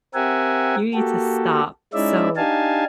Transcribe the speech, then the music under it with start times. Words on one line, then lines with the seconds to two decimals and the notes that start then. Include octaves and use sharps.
you need to stop." So,
0.14 C4 G4 A#4 E5 F#5 G#5
0.94 A#3 F#4 G4 A4
1.94 G#3 C#4 D#4 E4 D5 E5
2.36 D4 D#4 G4 F5 G#5 A5